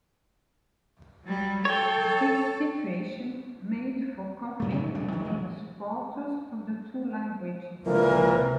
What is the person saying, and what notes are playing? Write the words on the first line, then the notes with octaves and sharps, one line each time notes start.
This situation made for conflict between the supporters of the two languages.
F#3 G3
A4 C#5 G5
A1 G#2 A3
C3 D#3 F#3 A3
E1 C2 D4
D#3 F#3 G#3
E1 A1
C#2 A#2 D3 E3 F3 A#4
C3